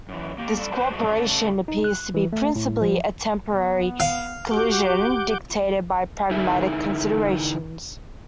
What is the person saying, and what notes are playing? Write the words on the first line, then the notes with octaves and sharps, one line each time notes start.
This co-operation appears to be principally a temporary coalition dictated by pragmatic considerations.
F#2 E3
A#3 G4
G3 A4
D4 B4 C5
G3 A3 F#4 G#4
C#3 A3 A4
D#4
F#6
E3
A3
A2
F3
B3
F5
F#4 G4 F#5 D6 G6
D3 D#4 E4 G#4 A#4 E5